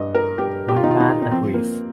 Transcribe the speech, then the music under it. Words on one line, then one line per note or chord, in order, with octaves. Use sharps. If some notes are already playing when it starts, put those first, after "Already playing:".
One man agrees.
Already playing: G2 D#5
A#4
G2 G4
G4
F4
D#3 D#4
F4
D#4
D#4
F3 C4
A#3